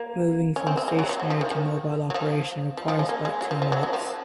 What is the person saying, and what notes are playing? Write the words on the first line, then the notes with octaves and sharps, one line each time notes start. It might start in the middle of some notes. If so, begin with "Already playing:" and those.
Moving from stationary to mobile operation requires about two minutes.
Already playing: A#3
C#4
C4
C4
G#3
F#3
F3
F#3
F3
D#3
D#3
F#3
F3
F3
F3
G#3
A#3
G#3
F#3
F3
F3
F#3
F#3
F3